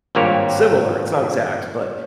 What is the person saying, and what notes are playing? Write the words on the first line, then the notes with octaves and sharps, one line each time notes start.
similar, it's not exact, but
G#1 G2 A#2 A#3 G4 C#5